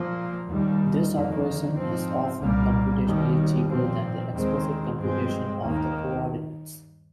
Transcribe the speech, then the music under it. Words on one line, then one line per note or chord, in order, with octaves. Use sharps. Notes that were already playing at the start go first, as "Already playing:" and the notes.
This operation is often computationally cheaper than the explicit computation of the coordinates.
Already playing: A#2 F3 A#3
D#2 D#3 G3
F2 D#3 A#3
G#2 F3 C4
C2 A#2 G3 A#3
D#2 D#3 G3
A#2 F3 C4
D#2 D#3 G#3 C4
G2 F3 G#3 C4
D#2 D#3 A#3